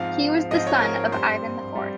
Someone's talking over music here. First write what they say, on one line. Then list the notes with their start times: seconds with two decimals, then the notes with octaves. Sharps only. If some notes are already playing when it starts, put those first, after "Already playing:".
He was the son of Ivan IV.
Already playing: G#2 F3 C4 F5
0.51 G#2 F3 C4 D#5
0.67 C#5
0.81 A#4
1.12 G2 G3 C4 C5
1.75 G3 C4